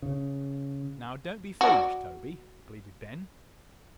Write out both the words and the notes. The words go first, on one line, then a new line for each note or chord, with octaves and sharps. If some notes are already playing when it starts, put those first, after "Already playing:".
"Now don't be foolish, Toby," pleaded Ben.
C#3
F#4 D5